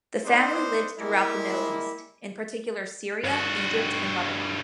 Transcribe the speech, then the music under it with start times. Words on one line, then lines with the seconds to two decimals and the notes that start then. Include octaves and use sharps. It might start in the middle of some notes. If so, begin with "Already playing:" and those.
The family lived throughout the Middle East, in particular Syria, Egypt, and Lebanon.
0.24 B3 C4 D4 D#4 C5
0.99 G3 G#3 A#3 E4
3.24 G2 F#4